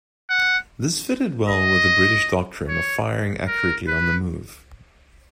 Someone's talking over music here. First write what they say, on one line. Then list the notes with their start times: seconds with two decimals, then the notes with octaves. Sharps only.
This fitted well with the British doctrine of firing accurately on the move.
0.30 F#5
1.49 D#5
2.68 C#5
3.47 A#4
3.88 B4